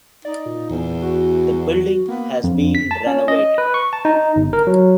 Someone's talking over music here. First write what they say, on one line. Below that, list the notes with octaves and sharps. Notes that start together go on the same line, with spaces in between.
The building has been renovated.
D#4 D5
A#2
E2
F#4
A#3 B3
F2
B6
A5
C#4
D#5
B4
C#6
A5
D#4
G1
A#4
F#3